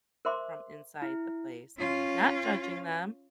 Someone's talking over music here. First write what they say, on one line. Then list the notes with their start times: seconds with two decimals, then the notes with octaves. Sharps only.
from inside the place. Not judging them,
0.25 A#4 C5 E5 C6 D6
1.02 E4
1.78 C#4 F4